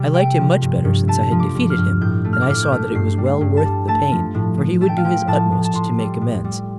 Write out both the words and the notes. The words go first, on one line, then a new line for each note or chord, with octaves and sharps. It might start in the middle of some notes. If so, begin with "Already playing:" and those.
I liked him much better since I had defeated him; and I saw that it was well worth the pain, for he would do his utmost to make amends.
Already playing: C3 G3
A3 G5
F3
G2
G2
A3 A5
F3
D6
G2
F6
G2
A2 G6
A3
F6
D6
A2 F6
G6
A3
G2 C7
G3
C7
G2
A5
G3
A3 A5
F3
A2
A2
A3 A5
G5
F5
F3 G5
A2 A5
A2
A5
A2 C6
G3
A2
G3